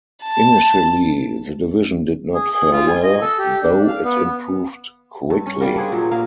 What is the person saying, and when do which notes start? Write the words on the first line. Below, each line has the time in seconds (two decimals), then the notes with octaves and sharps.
Initially, the division did not fare well, though it improved quickly.
0.23 A5
2.34 G#4
2.55 G#4
2.72 F4
2.87 G#5
3.03 D#5
3.21 A4
3.39 G4
3.62 D4
3.88 F5
4.04 B3
5.30 G2
5.46 C#4
5.60 G3 A#3 F#4 A#4
5.77 D4 G#4 C5
5.92 A#2 F#3
6.11 A#3 G#4 F5